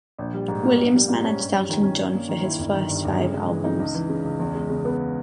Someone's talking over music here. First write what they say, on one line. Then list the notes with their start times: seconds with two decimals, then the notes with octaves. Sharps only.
Williams managed Elton John for his first five albums.
0.19 A#1
0.34 G3
0.48 G#2
0.63 A#3
0.78 A#1
0.94 G3
1.08 G#2
1.24 C#4
1.38 G2
1.54 G3
1.69 D#3
1.84 C#4
1.99 G2
2.14 A#3
2.29 D#3
2.44 E4
2.59 G1
2.74 D#3
2.89 G2
3.05 G1
3.19 C#3
3.34 G#3
3.49 E3
3.64 D#4
3.79 C#2
3.94 E3
4.09 C#3
4.24 C#2
4.39 E2
4.55 G#3
4.70 C#3
4.85 B3